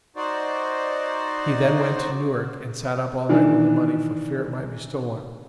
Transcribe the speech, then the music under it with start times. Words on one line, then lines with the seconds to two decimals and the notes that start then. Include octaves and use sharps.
He then went to Newark and sat up all night with the money for fear it might be stolen.
0.16 D#4 F#4 C5 D5
3.29 D#3 E3 D4